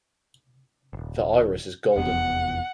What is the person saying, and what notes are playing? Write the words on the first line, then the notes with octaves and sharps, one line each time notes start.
The iris is golden.
D#1 G#1
F1 E2 B3 F#5